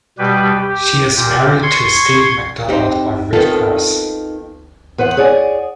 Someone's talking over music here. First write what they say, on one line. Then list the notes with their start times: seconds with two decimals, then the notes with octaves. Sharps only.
She is married to Steve McDonald of Redd Kross.
0.18 B2 G3 G4 B4
0.60 G4
1.16 A#2 G4
1.63 C6 C#6 G#6
2.69 C4 D#4 G4 C5
3.33 D#3 B3 F4 A4
4.98 E2 B4 C5 F#5
5.17 G#4 C#5 D5 F#5 G#5